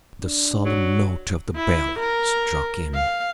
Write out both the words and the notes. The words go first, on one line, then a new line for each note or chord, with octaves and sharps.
The solemn note of the bell struck in.
D4
F#3
E4
A#4
F5